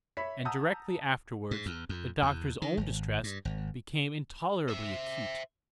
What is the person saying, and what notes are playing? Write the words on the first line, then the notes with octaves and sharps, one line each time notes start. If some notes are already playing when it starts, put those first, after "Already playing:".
And directly afterwards the doctor's own distress became intolerably acute.
C#5 E5 B5 B6
F#5 A5 A#5 D#6 E6 G6
G#2
E2
F2
E2
D#3
G#1
G2
G#1
C5 E5